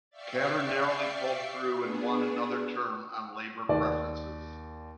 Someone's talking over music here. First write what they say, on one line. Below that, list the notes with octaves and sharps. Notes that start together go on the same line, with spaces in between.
Katter narrowly pulled through and won another term on Labor preferences.
D5 E5 F5 G5 C#6 C7
B3 D4 G#4
D#2 D5